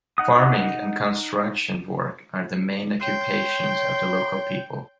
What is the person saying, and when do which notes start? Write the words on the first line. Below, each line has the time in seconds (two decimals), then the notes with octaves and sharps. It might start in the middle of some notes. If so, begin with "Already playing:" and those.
Farming and construction work are the main occupations of the local people.
0.18 D#4 F#5 D#6
3.01 C#5 G5 C6